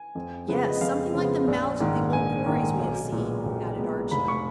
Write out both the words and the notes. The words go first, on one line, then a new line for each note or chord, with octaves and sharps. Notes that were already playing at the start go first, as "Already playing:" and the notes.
"Yes, something like the mouths of the old quarries we have seen," added Archy.
Already playing: G#5
F2
C#3 F3 G#3 B3
D#5
F2 F5
C#3 F3 G#3 B3
A#1
G#2 D#3 A#3
A#1 G#5
G#2 D#3 A#3
B1
A#2 G#3 B3
B1
A#2 G#3 B3
F1 B5
C#6